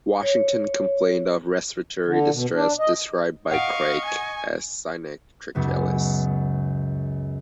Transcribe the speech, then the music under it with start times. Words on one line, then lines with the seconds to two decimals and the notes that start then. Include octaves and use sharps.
Washington complained of respiratory distress, described by Craik as "cynanche trachealis".
0.23 C#5
2.06 D3
2.32 B2
2.54 D4
2.79 D#5
3.51 D#5 F5 F#5 C#6 D7
4.05 G#5
5.55 C#2 F#2 C#3 B3